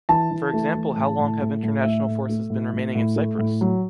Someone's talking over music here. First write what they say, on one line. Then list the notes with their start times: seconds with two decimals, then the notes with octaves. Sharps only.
For example how long have international forces been remaining in Cyprus?
0.09 E3 A5
0.31 E3
0.53 A3
0.75 E3
0.96 A2
1.18 A2
1.41 A2
1.63 A2
1.84 A3 E5
2.06 A2
2.29 A3
2.50 A2
2.73 A2
2.95 A2
3.16 A3
3.39 A2
3.61 F#3